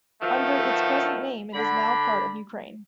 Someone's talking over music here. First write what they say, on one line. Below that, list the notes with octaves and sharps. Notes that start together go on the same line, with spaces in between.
Under its present name it is now part of Ukraine.
B2 D#3 F3 A3
D3 B5